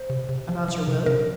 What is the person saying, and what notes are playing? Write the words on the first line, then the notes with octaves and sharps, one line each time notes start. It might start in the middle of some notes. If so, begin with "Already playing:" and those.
"About your will?"
Already playing: C5
C3
C3
F3
F3
C3
C3 A#4